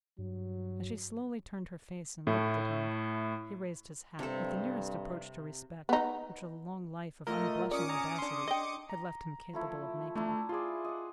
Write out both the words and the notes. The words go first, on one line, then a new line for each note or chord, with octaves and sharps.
As she slowly turned her face and looked at him, he raised his hat, with the nearest approach to respect which a long life of unblushing audacity had left him capable of making.
G2 F#3
A2 A3 E4
G2 C3 A4
B3 D#4
A3 F4 A#4 D#5
C#4 D5 D6 D#6 C#7
G#5 A#5
D4 C6
D#5 G5
A#5
F3 A3 E4
A3 D4 E4 A#5
F4 G#4 D5 C6
D#5 F#5